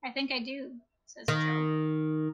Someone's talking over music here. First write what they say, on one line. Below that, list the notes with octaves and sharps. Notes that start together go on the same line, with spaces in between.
"I think I do," says Jo.
D#3